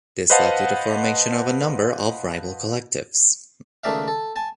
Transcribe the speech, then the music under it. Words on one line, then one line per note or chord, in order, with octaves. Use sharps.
This led to the formation of a number of rival collectives.
B4 C5 D#5 F5 F#5 A5
C#2 D#3 A3 D5 E5 F5
A4
G#5 A5